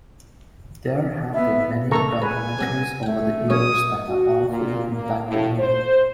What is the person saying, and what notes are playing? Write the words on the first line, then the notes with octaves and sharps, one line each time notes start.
There've been many documentaries over the years that have powerfully impacted me.
B3 E5
E2 A#2 A3 A4 A#5 C#6
G#2 B4 G#5
C3 F#3 B3
A3 F#5 G5
C#2 F#2 C#4 C#5 D#6
F#4
A#2
A#3
A2
C5